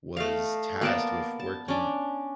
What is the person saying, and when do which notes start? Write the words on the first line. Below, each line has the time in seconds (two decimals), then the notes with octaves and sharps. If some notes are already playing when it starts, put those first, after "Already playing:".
was tasked with working
0.17 A3 D#5 F5
0.81 A#3 B3 D5 A5
1.40 A5
1.68 C#4 D4